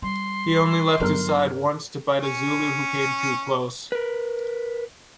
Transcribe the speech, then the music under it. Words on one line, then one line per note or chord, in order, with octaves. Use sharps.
He only left his side once to bite a Zulu who came too close.
G3 C6
G1 F#3 D#4 A#4 F6
C#4
A#4 B4